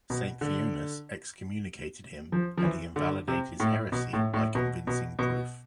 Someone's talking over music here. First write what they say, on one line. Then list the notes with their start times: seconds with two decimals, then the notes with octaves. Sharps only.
Saint Theonas excommunicated him and he invalidated his heresy by convincing proof.
0.10 B2
0.41 D3
2.32 F3
2.57 F3
2.64 E3
2.96 D3
3.28 C3
3.60 A2
3.92 B2
4.13 A2
4.34 A2
4.55 B2
4.87 B2
5.19 B2